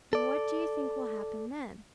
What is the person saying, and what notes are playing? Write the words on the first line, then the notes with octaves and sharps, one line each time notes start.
And what do you think will happen then?
A4 D5